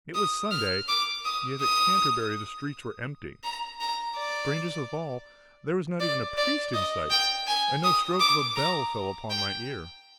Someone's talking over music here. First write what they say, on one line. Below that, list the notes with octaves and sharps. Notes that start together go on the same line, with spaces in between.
It was Sunday; yet at Canterbury the streets were empty; strangest of all, there was not even a priest in sight, and no stroke of a bell fell upon my ear.
D#6
F6
D6
D#6
D#6
A#5
A#5
D5
D5
D5
D#5
G5
G#5
D#6
D6
A#5
G5